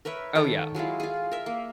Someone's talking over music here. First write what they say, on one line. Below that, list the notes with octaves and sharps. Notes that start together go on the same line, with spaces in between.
Oh, yeah.
A#4 B4 C#5 E5
D#3 A4 C#5 G5
F#3 G#3 E4 F4
F4 G#4
A#4 E5
A#3